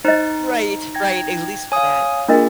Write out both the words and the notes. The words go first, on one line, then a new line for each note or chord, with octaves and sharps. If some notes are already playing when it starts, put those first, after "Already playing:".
Right, right, at least for that
D#4 C5 D#5
G5 G#6 A#6
C#5 F5 G#5 D#6
A#3 D4 F4 G#4 A#4 D#5